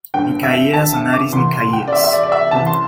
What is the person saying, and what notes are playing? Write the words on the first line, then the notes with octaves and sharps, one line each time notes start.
Nikaias and Aris Nikaias.
G1 G2 D3 G5
E5
A5
A5
D6
C2 C3 E3 C6
C6
G5
D5
E5
E5
D5
D5
E5
C2 C3 E3 A5
C6